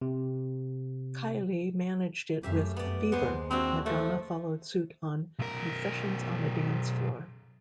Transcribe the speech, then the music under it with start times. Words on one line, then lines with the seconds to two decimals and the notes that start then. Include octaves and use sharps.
Kylie managed it with "Fever", Madonna followed suit on "Confessions on a Dance Floor".
0.02 C3
2.43 F#2 A3 G4 E5 F5
2.76 B3 D5
3.12 D#2 G#3 B3 C5
3.51 C4 D4 E4 F#4
3.86 F3 A3
5.39 B1 A#4